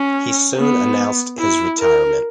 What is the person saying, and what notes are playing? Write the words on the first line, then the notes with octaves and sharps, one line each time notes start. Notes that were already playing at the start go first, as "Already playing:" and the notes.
He soon announced his retirement.
Already playing: C#4
B3
E4
A#4